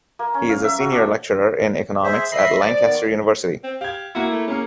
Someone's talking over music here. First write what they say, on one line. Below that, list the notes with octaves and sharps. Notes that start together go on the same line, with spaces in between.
He is a senior lecturer in economics at Lancaster University.
A#3
C#4
F5
E5
F#4
D4
G#4 C5 E5
D#5 E5 B5 C7
F3 D5
D#3 B3
C4
G4 F5 G#6
A#3 E4 F#4
A3
G#3 A#3 C#4